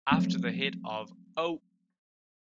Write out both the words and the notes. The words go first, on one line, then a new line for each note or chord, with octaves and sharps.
After the hit of Oh!
F3 F#3 A3 C4